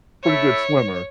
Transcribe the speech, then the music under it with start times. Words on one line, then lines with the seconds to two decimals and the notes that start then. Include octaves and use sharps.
pretty good swimmer
0.23 A3 E4 A4 C#5 E5